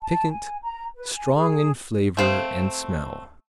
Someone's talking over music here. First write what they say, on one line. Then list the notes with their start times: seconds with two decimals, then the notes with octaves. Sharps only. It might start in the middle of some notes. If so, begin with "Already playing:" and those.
Piquant, strong in flavor and smell.
0.02 A5
0.29 G#5
0.64 A#5
0.95 B4
1.15 G#5
1.34 G#4
2.17 A3 C4 F5